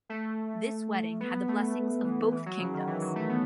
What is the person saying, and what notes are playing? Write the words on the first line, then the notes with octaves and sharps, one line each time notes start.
This wedding had the blessings of both Kingdoms.
A3
B3
A3
E3
E3
F#3
C#3
D#3
E3
F#3
A3
B3